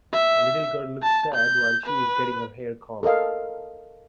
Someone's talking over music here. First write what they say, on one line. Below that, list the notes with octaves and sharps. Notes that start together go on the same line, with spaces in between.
A little girl looks sad while she is getting her hair combed.
E5
A5
G6
B4
A4 A#4 D#5 F5